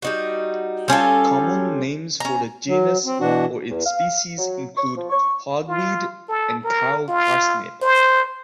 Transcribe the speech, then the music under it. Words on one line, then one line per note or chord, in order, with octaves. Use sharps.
Common names for the genus or its species include hogweed and cow parsnip.
G3 D#4 F#4
G3 C#4 F4 A4
C#4 A#5
F#3
C4
B2 E3 D4 F#4
E2
F5
F#3
C#6
F3
C#6
F4
A4
A#4
F4
C5